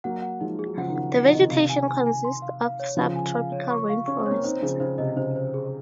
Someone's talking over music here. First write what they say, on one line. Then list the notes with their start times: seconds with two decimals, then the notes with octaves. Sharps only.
The vegetation consists of subtropical rainforest.
0.04 F#3 A#3 F#5
0.22 F#5
0.41 F3 G#3 D#4
0.59 G#4
0.66 F#3
0.77 C#3 F3 F#5
0.88 D#3
0.96 C#3 F#5
1.14 C#3 F#5
1.25 F3
1.33 C3 D#3 D#5
1.50 C3 D#3 F5
1.70 G#5
1.88 G#5
2.06 G#5
2.25 C6
2.42 F5
2.61 F5
2.80 C#5
2.97 C#3 F3 F5
3.15 G#5
3.34 F5
3.52 C#5
3.70 C#6
3.89 F5
4.07 C#4 C#6
4.19 C4
4.26 C#5
4.31 A#3 C#4
4.44 C4 D#4 C5
4.62 C#3 F3 G#4
4.80 C#3 C5
4.98 C3 D#5
5.16 C#3 C5
5.36 C5
5.54 G#4